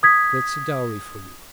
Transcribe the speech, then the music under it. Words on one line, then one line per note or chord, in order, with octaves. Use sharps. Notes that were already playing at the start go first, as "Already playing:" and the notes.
That's a dowry for you.
D#6 G#6 B6